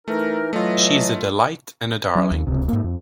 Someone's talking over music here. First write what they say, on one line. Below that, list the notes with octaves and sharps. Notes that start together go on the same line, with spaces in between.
She is a delight and a darling.
E3 A3 D#4 A#4
E3 F#3 A3 F4 D#5
F#3 C#4
D#2
D1 C#2 C3
G#2 A#3
F2